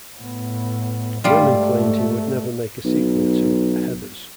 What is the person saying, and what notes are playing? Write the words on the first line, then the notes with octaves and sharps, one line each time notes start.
Lehmann claimed he would never make a sequel to "Heathers".
A2 B3
G#2 G3 A3 F4
B1